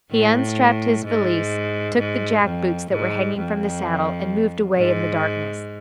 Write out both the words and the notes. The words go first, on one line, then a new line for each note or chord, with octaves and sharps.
He unstrapped his valise, took the jack-boots that were hanging from the saddle, and moved away in the darkness.
A2
G#2
G#2
F2
G#2
F2
G#2